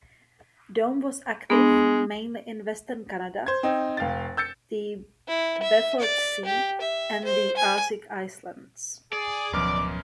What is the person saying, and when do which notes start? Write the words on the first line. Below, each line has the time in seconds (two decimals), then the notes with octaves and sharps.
Dome was active mainly in Western Canada, the Beaufort Sea and the Arctic islands.
1.50 G#3 B3 D4
3.46 C5 G#6
3.63 C4 D#4
3.97 F1 F5 G5 A6
4.37 E6 G6 A6 C#7
5.27 E4
5.62 E5
6.00 D5
6.45 G4
6.81 E5
7.25 C5
7.57 G#5
9.13 G#4 D5
9.53 D1 F#2 B2 F3 D6 F6